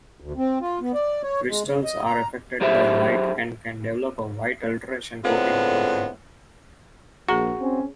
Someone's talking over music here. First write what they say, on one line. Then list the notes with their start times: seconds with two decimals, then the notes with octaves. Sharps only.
Crystals are affected by light and can develop a white alteration coating over time.
0.20 D2
0.37 C4
0.61 F4
0.81 B3
0.94 D5
1.23 C#5
1.48 G#3
1.65 C#3
1.84 D#5
2.05 A#5
2.61 F#3 G4 G#4 C5 E5
5.24 A2 D3 G#3 B3 C4 F4
7.29 A#1 F#4 G#4 A#5
7.60 C4 C#4